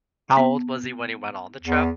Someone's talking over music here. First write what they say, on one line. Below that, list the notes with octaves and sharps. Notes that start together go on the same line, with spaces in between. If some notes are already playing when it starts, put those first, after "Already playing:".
How old was he when he went on the trip?
B3
E2